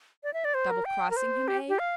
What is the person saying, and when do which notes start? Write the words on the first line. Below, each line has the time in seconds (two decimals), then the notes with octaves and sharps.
Double-crossing him, eh?
0.23 D5
0.34 E5
0.45 D5
0.54 C5
0.70 A#4
0.85 G5
1.10 A#4
1.17 C5
1.48 G4
1.69 G4
1.79 F5